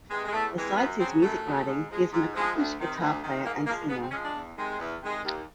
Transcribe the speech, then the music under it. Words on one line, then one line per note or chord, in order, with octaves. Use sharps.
Besides his music writing, he is an accomplished guitar player and singer.
C3 E3 G#3
G#3
E2 A3
C3 E3 G#3
F#2 B3
C#3 F#3 C4
F#2 A3
C#3 F#3
G#2
F3 G#3
G#2
F3 G#3
D2
C3 D#3
D2
C3 D#3
G#2 A#3
A#3
F3 G#3 A#3
A#3
G#2 B3
C4
F3 G#3 C#4
D4
E2
C3 D#3 G#3
E2
C3 D#3 G#3
D#2